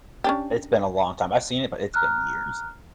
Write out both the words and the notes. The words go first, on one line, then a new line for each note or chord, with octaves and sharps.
It's been a long time. I've seen it, but it's been years.
C#4 D4 G4
A#5 F6 F#6